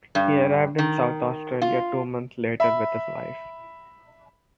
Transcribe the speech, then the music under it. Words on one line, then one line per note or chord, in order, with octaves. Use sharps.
He arrived in South Australia two months later with his wife.
G2
D#3
F4
E5 B5